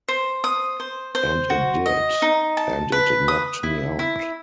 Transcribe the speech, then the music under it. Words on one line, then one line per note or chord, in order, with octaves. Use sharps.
And it did, and it knocked me out.
C5
D#6
C5
C5
F#4
D#5
D#4
A5
B4
D#6
E4
E4